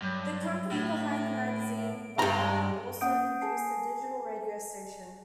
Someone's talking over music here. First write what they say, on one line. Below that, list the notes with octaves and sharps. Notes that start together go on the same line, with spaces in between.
The company behind the magazine, Bauer, also produced a digital radio station.
G2 F#3
A2 D4
D7
G2 G#3 A#5
A#3 C#4 F#5 D#6 G6 D7
G#4 G#5 A5 C7